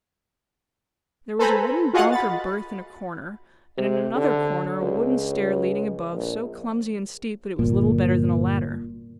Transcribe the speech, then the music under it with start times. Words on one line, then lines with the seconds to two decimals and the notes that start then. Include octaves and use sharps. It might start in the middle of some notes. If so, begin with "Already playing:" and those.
There was a wooden bunk or berth in a corner, and in another corner a wooden stair leading above--so clumsy and steep that it was little better than a ladder.
1.39 A4 B4 C5 G#5 A#5 B5
1.93 F4 F#4 G#4 D#5 F5 F#5
2.12 B5 A6
3.78 C3
4.15 D3
4.82 C#2
6.13 A#1
7.59 G1 A#2